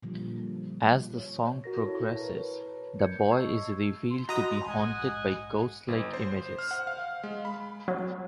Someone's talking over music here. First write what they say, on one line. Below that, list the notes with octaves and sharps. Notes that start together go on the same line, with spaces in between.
As the song progresses, the boy is revealed to be haunted by ghost-like images.
A#2 D3 F3 G3
C#5
F#4 A#4 A#6
E4 A4 C#5 A5
A#4 B4 C#5 A5
G6 G#6 C#7
D#5 A5 C#6 E6 G#6 C7
C6
F#4 D#5 A#5 D#6
A#1 G#2 D#5 F#5 G#5
G1
C5
F6
F#5
F5
G#3
B5
F#3